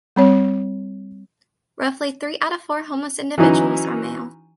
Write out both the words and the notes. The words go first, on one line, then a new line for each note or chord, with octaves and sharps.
Roughly three out of four homeless individuals are male.
G3 C4 C#5
E3 F#3 C#4 D#4 E4